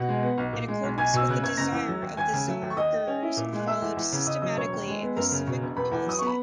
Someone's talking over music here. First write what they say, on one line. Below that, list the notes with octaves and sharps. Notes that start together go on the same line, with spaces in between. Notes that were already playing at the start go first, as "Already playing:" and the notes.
In accordance with the desire of the tsar Girs followed systematically a pacific policy.
Already playing: B2 F#5
G#3
B3
B1
A#2
G#3
B1
B1 G#5 G#6
B2 E6
C#3 F#6
F#1 G#6
F#1 A#5 A#6
E2
F#3
D#2
D#2 G#5 G#6
C#3
F#3
D#2
C#6
D#2 D#5 D#6
D#3
C#4
E4
A#2
G#3
F#6
G#3 E5 E6
E2
E2
C#3
C#3 D#5 D#6
F#3 D#5 D#6
E1 C#5 C#6
D#2
G#3
B3
F#2 A#4 A#5
C#3
B2
E1
E1 B4 B5
E2
F#3 D#6
B3 C#6
B5